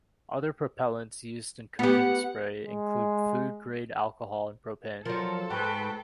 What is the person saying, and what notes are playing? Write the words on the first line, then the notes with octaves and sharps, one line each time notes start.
Other propellants used in cooking spray include food-grade alcohol and propane.
B3 G4 F#5
G#3
F3 F#3 A4 A#4
G#2 F#4 B4 G5